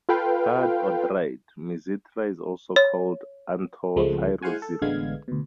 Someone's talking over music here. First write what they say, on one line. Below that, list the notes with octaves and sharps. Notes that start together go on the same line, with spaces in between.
Hard or dried mizithra is also called "anthotyro xero".
F4 A4 B4 F5 G5
C#5
C#2 C#3 F3 G#3 A3 C4
G#3 E4 C5 F5 F#5 G#5
A4
A1 D3 G#3 B3 F5 G#6
D2 B2